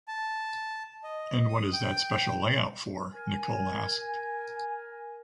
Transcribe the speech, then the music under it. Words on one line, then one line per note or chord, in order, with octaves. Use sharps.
And what is that special layout for ? Nicholl asked.
A5
D#5
D#6
G5
A#4 G#5